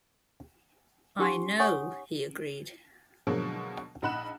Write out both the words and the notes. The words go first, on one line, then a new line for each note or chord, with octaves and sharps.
"I know," he agreed.
C#4 D#4 G4 G#5 C6
C#5 F#5 G#5 C#6 D#6
B2 D3 F3 F#3 G#3 A#3
A#1 D#4 F#5 B5 F#6 E7